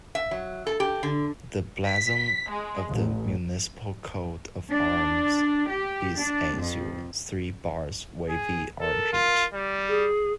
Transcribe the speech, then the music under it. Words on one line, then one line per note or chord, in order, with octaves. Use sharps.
The blazon of the municipal coat of arms is Azure, three Bars wavy Argent.
E5
F#3
A4
G4
D3
B6
G#3
A1
D4
G4
D4
F2
G#4
A4 A#4
F4
G3
G#4